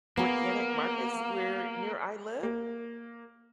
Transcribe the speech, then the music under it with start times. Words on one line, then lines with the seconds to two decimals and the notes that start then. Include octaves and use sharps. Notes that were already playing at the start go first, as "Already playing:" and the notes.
organic markets where near I live,
0.17 A#3 B3 G#4
2.43 A#3